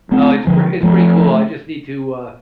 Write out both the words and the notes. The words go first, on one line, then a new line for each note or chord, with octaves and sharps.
No, it's p it's pretty cool, I just need to, uh,
A3 C4
D3 F3
F3 A3